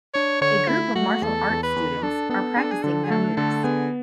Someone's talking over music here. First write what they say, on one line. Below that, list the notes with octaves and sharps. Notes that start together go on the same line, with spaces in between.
A group of martial arts students are practicing their moves.
D4 C#5
D3 C#5
A3 E4
A3 F#4
E2 A4
E2
B4
E2
D4 A4
B3 A4
D4 G#4
A4
G#4
D3 A4
G#4
A3 A4
D3 A4
B3 G#4